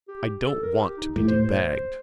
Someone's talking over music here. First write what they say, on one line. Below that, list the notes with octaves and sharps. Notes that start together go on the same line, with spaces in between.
I don't want to be debagged!
G4
A4
A#4
G4
D#4
A2 G4
C5
C5